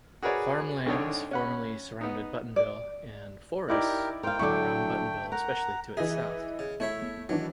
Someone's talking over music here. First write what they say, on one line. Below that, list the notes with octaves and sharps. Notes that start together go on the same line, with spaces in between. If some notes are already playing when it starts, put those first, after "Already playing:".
Farmlands formerly surrounded Buttonville and forests were around Buttonville especially to its south.
F#4 G#4 A#4 B4 C#5 D5
C2 D3 D4 D#4 C#5
C#4 F#5 B5
B3 D#4
D5
D#4 E4 G4 A#4 D5
A#4 C5 F5 G5
D3 F#3 A3 E4 C#6 D6
A#4 F#5 A#5
E3 G#4 D#5 E5
C#3
A3 E4 C#5 E5
D#3 E3 F#3 D4